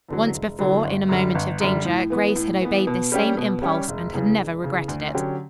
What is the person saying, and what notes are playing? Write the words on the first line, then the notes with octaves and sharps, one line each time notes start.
Once before, in a moment of danger, Grace had obeyed this same impulse and had never regretted it.
E2 D3 F#3
E1
E2 D3 F#3
G1
F#2 D3 G3
G1
F#2 D3 G3
A2
E3 B3
A2
E3 B3
B2
G3 C#4 G4
B2
G3 C#4 G4
E1
E2 C#3
E1
E2 C#3
D2
D3 F#3 C#4 G4